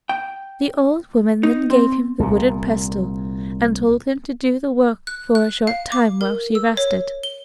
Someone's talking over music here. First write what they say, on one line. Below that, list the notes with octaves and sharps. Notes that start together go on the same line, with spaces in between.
The old woman then gave him the wooden pestle and told him to do the work for a short time while she rested.
G5
D#4
C4
C2 A#2
F#6
F#6
F5
D6
A#4
E6
C#5
G7